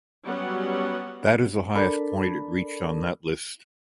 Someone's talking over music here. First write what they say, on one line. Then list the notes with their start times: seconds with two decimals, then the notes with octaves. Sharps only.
That is the highest point it reached on that list.
0.25 F#3 G3 B3 C#4 F#4 F#5
1.75 D4 A4 A#4 D5 A5 B5